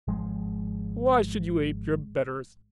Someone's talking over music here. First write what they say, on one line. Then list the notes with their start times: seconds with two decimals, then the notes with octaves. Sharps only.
Why should you ape your betters?
0.08 G#1 F3 G#3